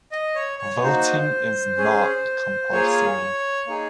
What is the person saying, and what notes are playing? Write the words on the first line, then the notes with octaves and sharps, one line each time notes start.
Voting is not compulsory.
D#5
C#5
C#5
A#3 D#4 F#4 C5
C#4 G#4
A#3 F4 G#4 C#5
A#3 D#4 G#4